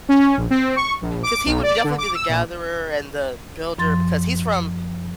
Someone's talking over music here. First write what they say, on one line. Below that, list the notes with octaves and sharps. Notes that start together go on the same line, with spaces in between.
'Cause he would b definitely be the gatherer and the builder because he's from,
C#4
A#1
C4
C#6
A#1
D6
B1
D5
D3
D6
E6
A#1
F#2 F3 C6 A6